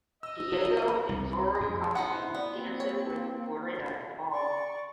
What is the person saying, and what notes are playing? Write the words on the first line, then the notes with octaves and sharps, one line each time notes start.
Diego, in Zorro costume, dances with Florinda at the ball.
D#5 E6
C2
F2
B3 D#4 E4 C5 F#5
B3 D5
A#3 C4
C#5
D5 C#6